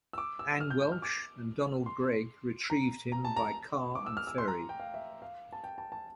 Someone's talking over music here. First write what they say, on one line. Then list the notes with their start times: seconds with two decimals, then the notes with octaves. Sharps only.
Ann Welch and Donald Greig retrieved him by car and ferry.
0.13 E6
0.18 D6
0.39 E6
0.60 F6
0.70 G6
0.81 G6
0.92 F6
1.02 D6
1.86 C6
2.70 A#5
3.12 A#5
3.25 A5
3.36 A#5
3.95 D6
4.06 E6
4.17 F6
4.27 E6
4.38 C6
4.48 A#5
4.69 G5
4.80 F5
4.94 E5
5.22 F5
5.53 A5
5.64 G5
5.78 A5
5.92 A5